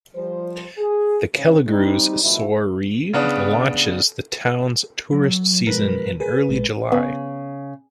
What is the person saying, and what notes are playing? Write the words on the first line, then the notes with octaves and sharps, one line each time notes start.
The Kelligrews Soiree launches the Town's tourist season in early July.
F3 G3 C5
G#4
G#2 C#3
G3 C4 D#4
B2 D#3 F3 A3 E4
C#3 B3 D4
F#3
B2 F3 G#3 A#4 B4
G#4 A#4 B4 G#5
A1 A#2 G#3
C#3 B3